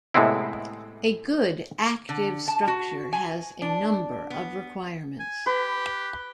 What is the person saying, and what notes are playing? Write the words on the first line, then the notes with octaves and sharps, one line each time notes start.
A good active structure has a number of requirements.
A2 C3 G#3 B3 C4 E4
D3
A5
F#4
G#5
D4
B3
G#5
G4 B4